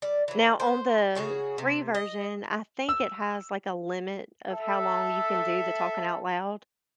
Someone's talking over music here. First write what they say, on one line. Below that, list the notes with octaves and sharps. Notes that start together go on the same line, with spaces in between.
Now on the free version, I think it has, like, a limit of how long you can do the talking out loud,
G3 D5
E3 F#3
C5
C#3 F#4 G#4
C3
D#5
E6
A4 E5